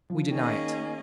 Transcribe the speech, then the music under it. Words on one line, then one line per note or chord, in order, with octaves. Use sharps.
We deny it.
F3
D#3 A#3 C#4 G#4 D#5